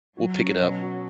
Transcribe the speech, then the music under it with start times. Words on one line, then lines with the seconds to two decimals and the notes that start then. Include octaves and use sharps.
we'll pick it up,
0.17 F#3 F#4
0.38 C#4
0.60 B2
0.82 F#4